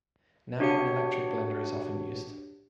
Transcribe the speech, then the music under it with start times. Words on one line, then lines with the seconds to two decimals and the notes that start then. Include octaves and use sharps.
Now an electric blender is often used.
0.60 D4 F#4 G4 C#5 C#7